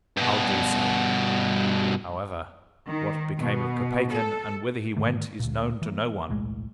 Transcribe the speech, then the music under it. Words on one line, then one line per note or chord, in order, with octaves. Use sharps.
I'll do so.' However, what became of Kopeikin, and whither he went, is known to no one.
G2 B2
D#3
B2
A4
G#2 D3 D#3 A3
D2 A#2
E3 A#3
D#1 B1 A2 G#3